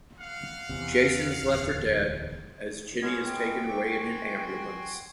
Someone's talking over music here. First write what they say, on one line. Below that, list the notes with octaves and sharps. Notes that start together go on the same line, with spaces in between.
Jason is left for dead as Ginny is taken away in an ambulance.
F5 F#5
E2 C3
D1 E2
G#3 B3 C#4 G#6
G5
E5 C#6 D6
F#4 G#5 C6